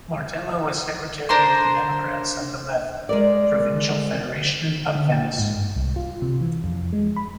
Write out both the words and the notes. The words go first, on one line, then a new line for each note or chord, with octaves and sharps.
Martella was secretary of the Democrats of the Left provincial federation of Venice.
D4 A#4 C5 C6
G#3 A#4 D5
D3
G5
G#2
G2
C2
F4
C3
E3
F2
G#3
B5